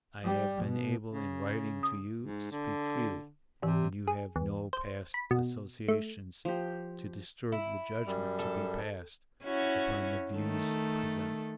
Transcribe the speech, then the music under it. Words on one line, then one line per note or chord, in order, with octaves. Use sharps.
I have been able in writing to you to speak freely, and you have no past associations to disturb the judgment to be passed upon the views presented.
G3
B2
C#3
D#6
G#2
D3
G#2 C3 E3
G#4
E2
C5
B5
B2
A3
F3 G4
E4
F#2 G3
A4
C#4 E4 F#4
D#3 A3 A4